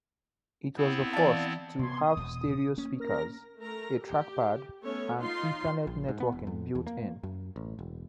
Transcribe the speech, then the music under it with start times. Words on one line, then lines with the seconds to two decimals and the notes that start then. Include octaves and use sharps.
It was the first to have stereo speakers, a trackpad, and Ethernet networking built-in.
0.77 B3 C4 E4
1.13 E3 D5 F5 A5
1.79 C3 B3 C6 G#6
1.98 D#6
2.17 E1 B2
2.78 A#3 C#4
3.00 A#4 F6 A#6
3.61 A3 A#4 A#5
4.03 G4
4.84 A3 B3 C#4 A4 C#5
5.20 D#4 F4 C6
5.87 A#1
6.09 G#2
6.20 B3
6.32 E1
6.47 F2
6.75 E2
6.87 A#3
7.23 F#2
7.56 A1
7.79 E1